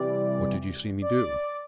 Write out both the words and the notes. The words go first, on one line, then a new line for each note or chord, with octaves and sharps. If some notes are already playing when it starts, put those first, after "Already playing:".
"What did you see me do?"
Already playing: C3 E3 G3 D5
D5